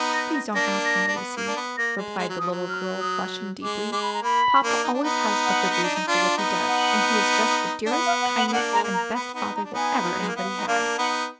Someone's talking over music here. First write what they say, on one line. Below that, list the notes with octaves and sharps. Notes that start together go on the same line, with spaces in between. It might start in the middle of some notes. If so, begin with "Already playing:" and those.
"Please don't ask me, Lucy," replied the little girl, blushing deeply. "Papa always has a good reason for what he does, and he is just the dearest, kindest, and best father that ever anybody had."
Already playing: B3 D#4
A#6
A#6
A#3 D4 A#6
A#6
D4
B3
A#3
D4
B3
A#3 A#6
G#3
G#3
F#3
F3 D#6
F#3
F6
D#6
G#3 D6
G#3 D6
B5
A#5
A#3 B5
A#3 D4
D#4
D4
B3 D#4
F#5
B3
D4
D#4
D4 F4
B3 D#4
F#5
D4
B3 F#5
F5
F#5
F#5
B3
A#3 D4 F#5
G#3 A#5
A#3
A#5
B3 B5
B3 D#4
D#4 A#5
D4
B3 D#4 G#5
F3
F#3
G#3
A#3
B3 F5
D#4
A#3 D4 F5
B3 D#4 F#5